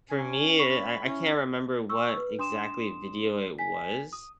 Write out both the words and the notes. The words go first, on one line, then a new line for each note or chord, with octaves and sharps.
for me, eh, I I can't remember what exactly video it was,
C#4 G#5
B5 C#6
C#4 E4 E5
C#6 E6
B4
D4 C6 D#6 E7
G#5 B6
D#6